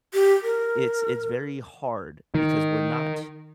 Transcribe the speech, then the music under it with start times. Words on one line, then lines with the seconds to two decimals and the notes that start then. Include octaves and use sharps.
it's it's very hard because we're not
0.14 G4
0.42 A#4
2.35 D#3